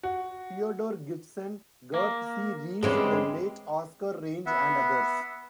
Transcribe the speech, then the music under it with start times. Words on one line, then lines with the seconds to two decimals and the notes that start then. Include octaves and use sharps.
Theodore Gibson, Garth C. Reeves, the late Oscar Range and others.
0.03 F#4
1.94 A#3
2.83 D3 E3 G3 G#3 C4 C#4
4.46 B3 E5 F#5